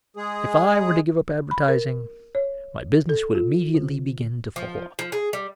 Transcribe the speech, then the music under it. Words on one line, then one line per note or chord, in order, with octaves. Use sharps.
If I were to give up advertising, my business would immediately begin to fall off.
G#3 G#4
B5
A#4
C#5
A4
F4
D3
F3
F3
G#4
G3